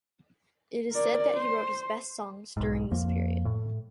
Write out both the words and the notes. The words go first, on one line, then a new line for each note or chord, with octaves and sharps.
It is said that he wrote his best songs during this period.
A#4 D5
C5
B1 G#2
F2 F3 A#3
A2